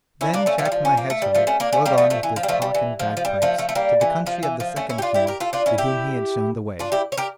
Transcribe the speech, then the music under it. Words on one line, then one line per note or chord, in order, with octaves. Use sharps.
Then Jack my Hedgehog rode on with his cock and bagpipes to the country of the second King to whom he had shown the way.
C#4 E4
A#3 D4
A3 C#4
F3 A3
G3
F3
C#4
A#3
A3
G3
F3 A3
A3 C#4
A#3 D4
A3 C#4
G3 A#3
F3 A3
F3 A3
E3
F3
G3
F3 A3
G3
E3
F3
F3
G3
F3 A3
F3 A3
A3
G3 A#3
E3
F3
E3
F3
A3 C#4
C#4 E4
G4
D4 F4
E4 G4
G4 A#4
F4 A4
D4 F4
C#4 E4
E4 G4
D4 F4
E4 G4
C#5
G4 A#4